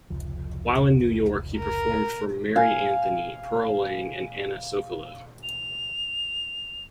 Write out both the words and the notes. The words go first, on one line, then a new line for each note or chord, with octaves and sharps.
While in New York he performed for Mary Anthony, Pearl Lang, and Anna Sokolow.
F1 C#2 F3
A#4
F5 G#5
F7